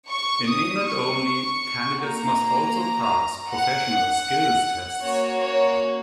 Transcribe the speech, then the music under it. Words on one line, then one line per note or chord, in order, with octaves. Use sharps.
In England only, candidates must also pass professional skills tests.
C#6
D#6
C#6
A#3 F#4 A#5
F#5
A#3 C#4 F#4 C#5
C#5